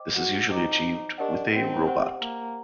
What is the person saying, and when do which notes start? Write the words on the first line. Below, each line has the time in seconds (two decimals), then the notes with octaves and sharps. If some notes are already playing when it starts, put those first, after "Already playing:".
This is usually achieved with a robot.
Already playing: C5 D#5 G5 D6
0.14 F#4
0.49 D#4 C5 G5 A#5 D6
1.18 D4 G4 A#4 D#5 F#5
1.52 C4
1.87 G4 C5 F#5
2.21 A#3